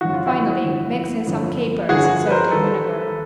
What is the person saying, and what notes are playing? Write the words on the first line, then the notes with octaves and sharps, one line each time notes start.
Finally mix in some capers soaked in vinegar.
G1 F2 D3 F#4
F4
E4 F#4
G1 F2 D3
G1 F2 D3
G1 F2 D3 F#4 G#4
B4
A#4 C5
D#2 D#3 A4 B4